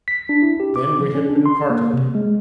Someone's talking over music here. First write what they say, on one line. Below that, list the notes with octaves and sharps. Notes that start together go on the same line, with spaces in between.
Then we had been parted.
B6
D4
E4
G4
D6
F3
C#4
D4
C6
A#3
C3
G#3